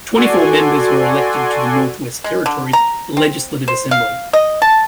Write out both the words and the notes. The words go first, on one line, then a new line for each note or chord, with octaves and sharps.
Twenty four members were elected to the Northwest Territories Legislative Assembly.
F#4 A4 D5 G#5 C6
G#3
D3
A#5
C4
C5
F5
D#5
A5